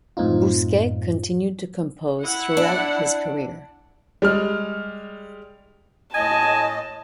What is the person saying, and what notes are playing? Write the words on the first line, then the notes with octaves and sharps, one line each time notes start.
Bousquet continued to compose throughout his career.
F#2 A2 C4 D#4 F4
E4 F#5
D4 D5
G3 G#3 F6
A2 D#5 G#5 A5